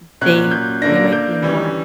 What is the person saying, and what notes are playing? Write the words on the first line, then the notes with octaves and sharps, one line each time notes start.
m they they might be more
A#2 F#3 C#4 F#6
G6
D3 A#3 D4 A#6
G6
E3 G3 C#4